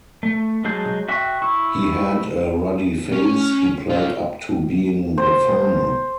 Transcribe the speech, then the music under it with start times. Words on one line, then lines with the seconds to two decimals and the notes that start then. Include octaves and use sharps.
He had a ruddy face, he played up to being the farmer.
0.23 A3
0.64 F#3 G#3 G#4 A5 G6
1.08 F#4 E5 G5 C#6
1.42 E4 C#6
3.12 C#4
3.90 C#4 F4
5.18 C5